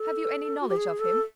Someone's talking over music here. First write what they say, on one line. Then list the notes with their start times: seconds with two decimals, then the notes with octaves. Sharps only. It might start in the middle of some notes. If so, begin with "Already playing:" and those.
"Have you any knowledge of him?"
Already playing: A4
0.61 F#4
0.69 G4
0.77 G#4
1.00 A4